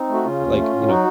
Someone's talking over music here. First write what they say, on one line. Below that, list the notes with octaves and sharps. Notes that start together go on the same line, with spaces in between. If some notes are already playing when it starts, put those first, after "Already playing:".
like, you know,
Already playing: C4 D#4
A3
F#4
C#3 C#4 F4
D#2
A3
A2
F#3 D#4 F#4